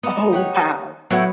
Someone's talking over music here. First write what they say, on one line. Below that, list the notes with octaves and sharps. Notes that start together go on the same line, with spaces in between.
Oh, wow.
B3 D#4
G4 C#5 F#5
A2 F#3 B3 E4 F#5